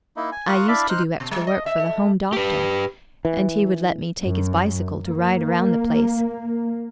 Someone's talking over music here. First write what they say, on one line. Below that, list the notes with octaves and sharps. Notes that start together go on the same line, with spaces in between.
I used to do extra work for the Home doctor, and he would let me take his bicycle to ride around the place.
A#3 D#4 E4
G#5
F4 A#4 F5 C#6 D#6 F#6
D4 E4 D5 E5 F5 B5
D#4 C5 F6 F#6
B2
G3
D#5
E5
A4
G4 B4
E3
F#2
A#3